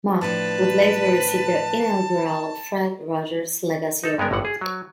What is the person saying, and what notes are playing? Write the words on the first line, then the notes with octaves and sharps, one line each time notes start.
Ma would later receive the inaugural Fred Rogers Legacy Award.
A2 F3 D4 B4 A5
D#4 A4
G2 G#3 B3 A#4
G1 A2 D3 F#5
G#4
F#3